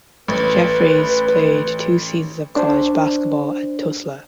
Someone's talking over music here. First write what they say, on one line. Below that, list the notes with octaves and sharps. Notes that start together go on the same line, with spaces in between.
Jeffries played two seasons of college basketball at Tulsa.
A1 B4
D4 C5